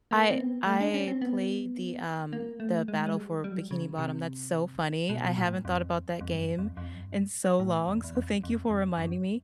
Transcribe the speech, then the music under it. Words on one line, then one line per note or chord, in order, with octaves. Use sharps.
I I played the, um the Battle for Bikini Bottom, that's so funny, I haven't thought about that game in so long, so thank you for reminding me.
A#3
C4
B3
A3
D4
C#4
C4
B3
A#3
A3
G#3
G#3
G3
G3
F#3
G3
C#3
C3
B2
B2
A#2
A2
G#2
F2
F2
G2
F#2
F2
F2
F#2
G2
A2
E2
E2
F2
F2
F2
F#2